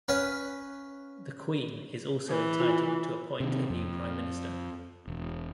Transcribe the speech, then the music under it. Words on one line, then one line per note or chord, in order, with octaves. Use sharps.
The Queen also is entitled to appoint a new Prime Minister.
C#4 B4 F5
E3
F4
C3 D#3
F2
E1